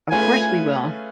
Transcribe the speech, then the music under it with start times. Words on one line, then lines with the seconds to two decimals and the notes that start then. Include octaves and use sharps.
Of course we will.
0.11 A3 C#4 F4 G#4 B4 G#5